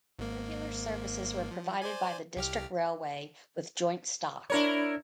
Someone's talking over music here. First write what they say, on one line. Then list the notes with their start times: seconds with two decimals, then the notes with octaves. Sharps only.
Regular services were provided by the District Railway with joint stock.
0.19 G#1 G#2 A#3
1.51 F3
1.82 C5 D5 G#5
2.36 C2 G4 F6
4.50 D4 E4 A#4 C#5 D5